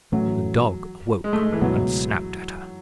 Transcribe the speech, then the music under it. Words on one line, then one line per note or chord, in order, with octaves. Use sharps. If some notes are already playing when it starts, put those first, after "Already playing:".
The dog awoke, and snapped at her.
A2 E3 F#3 A3 C#4
G#3
A3
G#3
E3
C#2 B2 F#3 G#3 B3